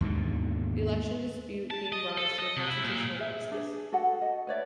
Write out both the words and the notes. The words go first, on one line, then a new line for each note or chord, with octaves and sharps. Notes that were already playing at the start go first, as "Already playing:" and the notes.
The election dispute gave rise to a constitutional crisis.
D#2 G#2 B2 D3
A5
D#5
A4
D#5
C3
E4
A#2
G#4 E5
D4 G#4 B4
F#4 A4 D#5 F#5
D#5
B4 C#5 D5 E5